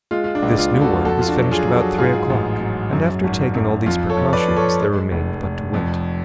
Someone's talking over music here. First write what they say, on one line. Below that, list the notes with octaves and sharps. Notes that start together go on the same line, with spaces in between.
This new work was finished about three o'clock, and after taking all these precautions there remained but to wait.
G#3 F4
F4
D4
C#2
F4
C#2
F#4 A4
F2 F#4 A4
F4
D4 F#4
F#3
F4 G#4
F#3
F#4 A4
G#2 F4 G#4
A1
F#3
F#2
G#1
F#2
F2 F4
A4 C#5
F2
B4 D5
F3
A4 C#5
G#3
F1
F1
F2